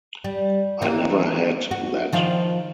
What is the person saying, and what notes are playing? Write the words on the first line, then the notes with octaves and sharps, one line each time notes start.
I never had that.
G3
E3 A#3
F#4
D#3 F3 F5